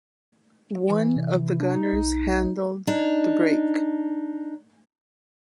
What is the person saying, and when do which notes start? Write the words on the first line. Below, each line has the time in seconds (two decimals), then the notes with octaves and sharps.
One of the gunners handled the brake.
0.89 E3
1.16 C3
1.60 D4
1.73 D#4
1.93 B1 D#4
2.87 D4 D#4